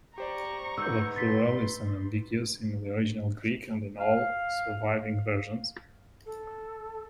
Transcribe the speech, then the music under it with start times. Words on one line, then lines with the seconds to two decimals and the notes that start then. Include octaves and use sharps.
The plural is unambiguous in the original Greek and in all surviving versions.
0.18 G4 C5 D5 A#5 C#6
0.78 G#2 B4 E6 G6
1.16 C6 A6 B6
4.00 F5
6.26 A4